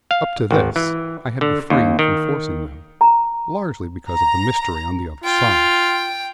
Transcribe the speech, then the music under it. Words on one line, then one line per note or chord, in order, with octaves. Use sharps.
Up to this, I had refrained from forcing them, largely because of the mystery on the other side.
F5
G#1
E3
D3
D#2
D#3
A#5
A#5
F4 G5